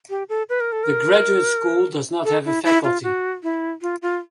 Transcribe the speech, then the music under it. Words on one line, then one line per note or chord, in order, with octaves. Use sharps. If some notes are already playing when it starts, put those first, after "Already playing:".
The Graduate School does not have a faculty.
G4
A4
B4
A#4
A4
A#4
A4
E4
E4
F4
F#4
E4
F4
F4